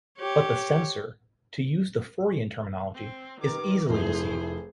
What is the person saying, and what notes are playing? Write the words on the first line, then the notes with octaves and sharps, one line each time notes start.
But the ‘censor’, to use the Freudian terminology, is easily deceived.
G4 C#5
C4
D#3 G4 A#4 B4 D6
F1 A3 E4 G#4 C5